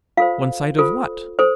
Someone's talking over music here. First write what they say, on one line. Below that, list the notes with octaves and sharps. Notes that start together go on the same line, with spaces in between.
'One side of WHAT?
F4 A4 C5 F5
F4 A4 C5
A4 C5